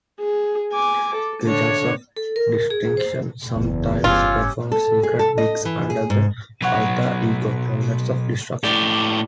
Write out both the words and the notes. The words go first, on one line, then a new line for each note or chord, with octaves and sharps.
Kitchens of Distinction sometimes performed "secret" gigs under the alter ego Toilets of Destruction.
G#4
G#5 D6
A4
D3 C#5
A4
A#4
G#4
C5
F#1 E2
G1 G#3 C#4 F4 G4 E6
A4
G#4
A4
D#5
E3
G#4
G#2
B1 F#3 B4 C#5 F#5
A2 G4 D5